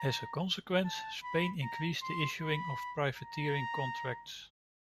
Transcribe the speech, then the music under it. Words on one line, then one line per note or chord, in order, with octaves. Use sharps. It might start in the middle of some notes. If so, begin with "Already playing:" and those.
As a consequence, Spain increased the issuing of privateering contracts.
Already playing: A#5
A5
B5
A#5
C6
B5
A#5